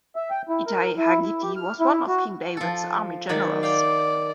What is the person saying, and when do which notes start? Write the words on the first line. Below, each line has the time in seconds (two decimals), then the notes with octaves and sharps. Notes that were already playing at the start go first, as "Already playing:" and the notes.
Itai haGiti was one of King David's army Generals.
0.16 E5
0.31 G5
0.49 E4
0.66 A#4
0.97 E4
1.21 E4
1.43 G4
1.57 F6
1.80 E4
2.08 F#4
2.57 F3 A4
3.29 D#3 F#3 D5
3.63 D5 F5 G5